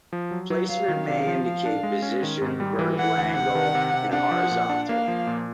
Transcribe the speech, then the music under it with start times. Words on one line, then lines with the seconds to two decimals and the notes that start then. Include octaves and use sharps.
Placement may indicate position, vertical angle, and horizontal angle.
0.13 F3
0.31 F#3
0.50 F#3
0.69 F#3 F5
0.88 D#3
1.08 C3 F5
1.27 F3
1.46 F3 F5
1.65 D4
1.83 G#3
2.02 C#4
2.22 D#3
2.41 G#2
2.60 G3
2.79 E3
2.98 E3 F#5
3.17 D2
3.36 C3 F#5
3.55 D#3
3.75 C3
3.94 C3
4.12 D4 F#5
4.31 F3
4.51 A#2
4.69 D4
4.89 A#3 F5
5.08 F3
5.27 A#2